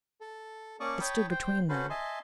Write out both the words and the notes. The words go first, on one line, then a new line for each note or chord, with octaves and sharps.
It stood between them.
A4
A#3 C#4 D5 A5 C#6 D#6
C#5 G5 A5 B5 D#6
C5 G5
C#4 F#4 A4 B4 C5
D#5 E5 G#5 A5 C6